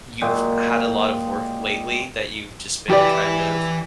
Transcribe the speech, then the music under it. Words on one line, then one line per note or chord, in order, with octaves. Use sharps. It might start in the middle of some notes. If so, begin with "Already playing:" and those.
you've had a lot of work lately that you've just been, kind of
A#2 F#3 G#3 G4
E3 G4 B4 D5